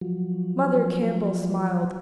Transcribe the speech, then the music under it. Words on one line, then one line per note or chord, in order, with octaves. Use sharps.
Mother Campbell smiled.
F3 F#3